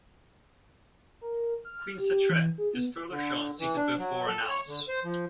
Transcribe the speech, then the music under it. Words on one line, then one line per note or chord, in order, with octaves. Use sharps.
Queen Sitre is further shown seated before a naos.
A#4
F6
G4
E3
G#4
B3
D3
E3
D4
F#3
A4
C#5
D3
C5
F3